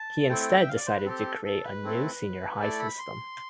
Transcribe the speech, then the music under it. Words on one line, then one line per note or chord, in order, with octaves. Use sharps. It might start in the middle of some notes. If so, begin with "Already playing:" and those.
He instead decided to create a new senior high system.
Already playing: A5
A3 C4 E4 A4 G5
E5
F5
D5
C5
B4
C4 G4 A4
A4
B4
A3 C4 E4 A4
A3 E4 A4 D5
B5
C6